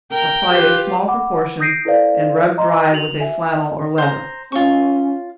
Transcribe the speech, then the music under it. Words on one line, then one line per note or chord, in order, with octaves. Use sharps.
Apply a small proportion, and rub dry with a flannel or leather.
A#4 G5
F4 G4 B4
F#5 B5 D6
D#6 G6 A#6 C7 D7 D#7
E4 A4 B4 C5 D5 F5
D#5 A#5 C6
F#4 A#4 F7 F#7
E5 G#5
C5 A#5
C#4 F4 C#6